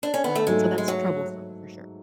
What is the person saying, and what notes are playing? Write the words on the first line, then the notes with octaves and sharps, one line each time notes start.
uh, so that's troublesome for sure.
D4
C#4
B3
A3
G#2 F#3 G#3 A3
G#3
F#3